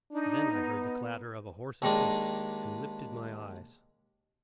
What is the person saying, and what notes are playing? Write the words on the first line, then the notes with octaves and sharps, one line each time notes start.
Then I heard the clatter of a horse's hoofs, and lifted my eyes.
D4 D#4
B3
D#2 D#3 G#3 D4